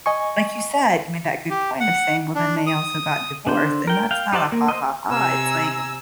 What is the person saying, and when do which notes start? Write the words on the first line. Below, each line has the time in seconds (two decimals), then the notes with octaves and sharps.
like you said, you made that good point of saying, "Well, then they also got divorced," and that's not a "Ha, ha, ha," it's like
0.06 D#5 G#5 C#6
1.50 G4
1.80 F#5
2.35 D4
2.67 D#6
3.47 D3 D4 C5
3.87 A#4 G5
4.11 F5 G5
4.32 D#4 G4 C5 D5 A5
4.52 A#3
4.68 C5 D#5
5.09 C3 G#5 A#5 E6